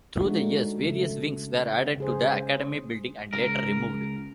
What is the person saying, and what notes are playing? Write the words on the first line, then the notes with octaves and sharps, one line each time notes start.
Through the years, various wings were added to the Academy building and later removed.
G#3 A3 D4 D#4 F#4
C#3 A3
C#3 G#4 C5
C#2 A#4